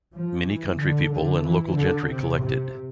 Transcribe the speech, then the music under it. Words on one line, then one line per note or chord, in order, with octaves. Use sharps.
Many country people and local gentry collected.
F3
E3
D3
D3
E3
D3
C3
C3